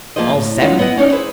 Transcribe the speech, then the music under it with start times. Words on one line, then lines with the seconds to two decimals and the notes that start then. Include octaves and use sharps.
"All seven?"
0.16 F3 A#3 F4 G#4 C5 D#5
0.35 A2
0.61 E2 G#3 C#4 D#4 F4 F#5
0.79 B3 E4 D#5 F#5
0.97 C#4 D#4 C#5 D5
1.12 E4 G#4 B4 C5 E5